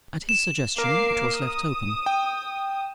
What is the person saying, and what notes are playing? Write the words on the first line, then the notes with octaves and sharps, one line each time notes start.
At his suggestion it was left open.
E7
A#3 A#4 D6 C7
D#6
G5